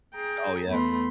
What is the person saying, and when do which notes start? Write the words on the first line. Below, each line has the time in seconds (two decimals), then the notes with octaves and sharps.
Oh, yeah.
0.15 G#4 G5 A#5
0.67 E2 A3 B3 B5 C6